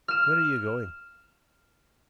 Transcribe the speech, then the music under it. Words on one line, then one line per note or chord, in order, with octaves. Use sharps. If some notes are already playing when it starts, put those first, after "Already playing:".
"Where are you going?"
F6 E7